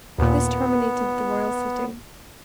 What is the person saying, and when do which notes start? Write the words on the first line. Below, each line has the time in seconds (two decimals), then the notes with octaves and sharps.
This terminated the royal sitting.
0.18 D#2 A#2 B3